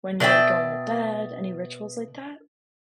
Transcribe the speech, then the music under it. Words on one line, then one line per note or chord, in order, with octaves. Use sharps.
when you're, like, going to bed? Any rituals like that?
B2 D5 E5 G5